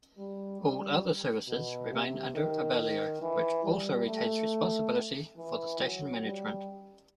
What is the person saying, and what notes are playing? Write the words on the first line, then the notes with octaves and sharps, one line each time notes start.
All other services remain under Abellio, which also retains responsibility for the station management.
G3
G3
B2
C3
D#3
E3
G3
A3
E3
F#3
G3